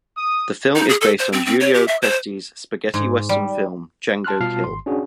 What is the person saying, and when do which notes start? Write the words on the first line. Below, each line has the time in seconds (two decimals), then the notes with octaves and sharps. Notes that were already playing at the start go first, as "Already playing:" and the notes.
The film is based on Giulio Questi's Spaghetti Western film, Django Kill...
0.17 D#6
0.75 D#4
0.89 G#4
1.01 A4
1.19 C5
1.33 C4
1.46 C4
1.60 C#5
1.74 G4
1.88 E5
2.02 C5
2.94 G#2
3.29 G3
4.24 A5 C6 F6 F#6
4.40 B2 G3 F4 A5 F6 C7
4.64 G#1 C6
4.86 C#4 D4 F#4 G#4